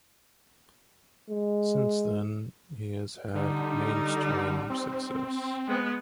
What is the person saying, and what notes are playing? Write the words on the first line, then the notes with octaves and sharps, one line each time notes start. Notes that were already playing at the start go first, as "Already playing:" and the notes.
Since then he has had mainstream success.
G#3
D3 G3 D#4
C4
G#3 B3